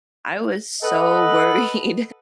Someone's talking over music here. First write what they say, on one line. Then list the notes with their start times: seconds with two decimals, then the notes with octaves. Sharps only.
I was so worried,
0.83 A4 B4 D#5 F#5